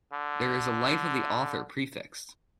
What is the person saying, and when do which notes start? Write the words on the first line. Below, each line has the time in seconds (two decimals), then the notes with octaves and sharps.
There is a life of the author prefixed.
0.13 D3